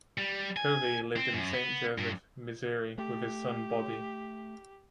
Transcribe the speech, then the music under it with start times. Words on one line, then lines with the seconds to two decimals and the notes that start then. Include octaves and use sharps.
Tovey lived in Saint Joseph, Missouri, with his son Bobby.
0.18 G3
0.57 G#5
1.17 C4
1.33 F#2
1.53 B3
1.98 G2
2.98 A3 G4